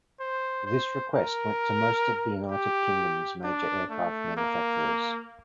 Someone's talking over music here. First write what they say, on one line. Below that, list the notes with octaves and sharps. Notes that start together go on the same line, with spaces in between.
This request went to most of the United Kingdom's major aircraft manufacturers.
C5
C5
A#4
G4
D4
A3
A#3